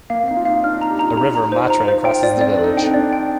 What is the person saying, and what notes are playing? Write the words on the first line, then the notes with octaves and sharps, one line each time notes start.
A river, Matre, crosses the village.
A#3 F5
C4
D#4 F5
F4
D#4 F5
D4 F6
D#4
A#5
G4
F4 A#5
G4 A#5
F4
A#5
D#4
F4 C5
F4 A#5
D#4 C5
F4 G5
F4 D5
C4
D5
D4
D#4 A4
D4 G5
C4
D4 D5
G5